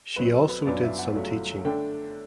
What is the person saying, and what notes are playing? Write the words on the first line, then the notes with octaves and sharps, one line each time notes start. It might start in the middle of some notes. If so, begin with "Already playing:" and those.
She also did some teaching.
B1 B2 F#3 C4 B4
A4
B4
G1 F#2 F#3 B3 D4 D5
E5
F#5
G1 F#2 F#3 A3
D3 A3 D4 G5